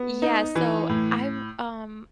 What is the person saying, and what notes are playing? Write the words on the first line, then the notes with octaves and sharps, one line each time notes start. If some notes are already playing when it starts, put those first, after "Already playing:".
Yeah, so I'm, um,
Already playing: B3
D#4
E3
A2